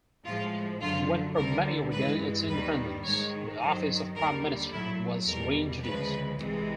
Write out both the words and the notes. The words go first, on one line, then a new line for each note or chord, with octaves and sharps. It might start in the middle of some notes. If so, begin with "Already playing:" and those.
When Armenia regained its independence, the office of Prime Minister was reintroduced.
A2 F3 G#3 F4
F#2 D3 F#3 F4
D2 D3 G3 A#4
G2 E3 G#3 B4
D#2 D#3 G3 B4
G#2 D#3 G#3 C#5
G2 D#3 F#3 C5
D#2 D3 G3 A#4
A#2 F#3 A3 E4
E2 B2 G3 A#4
D2 C#3 F3 G#3 B4
C2 C3 E3 G#3